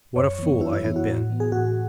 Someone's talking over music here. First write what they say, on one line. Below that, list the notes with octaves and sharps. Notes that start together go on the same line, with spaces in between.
What a fool I had been!
F#2 C#5
E3 B3
F#2 E4
E4
E3 B3 E4
F#4
A2
E3 B3
G#4
A2 F#4